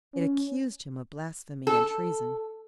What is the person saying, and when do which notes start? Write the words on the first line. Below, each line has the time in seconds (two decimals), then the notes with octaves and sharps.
It accused Him of blasphemy and treason.
0.14 C#4
1.67 A4